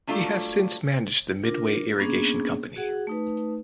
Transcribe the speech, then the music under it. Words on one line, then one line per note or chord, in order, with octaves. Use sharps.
He has since managed the Midway Irrigation Company.
F#3 G3 A3 D4 F4
D4 F4 A#4
A#3 B3 C#4 D4 G#4
F#4 G#4 F#5
A3 D#4 B4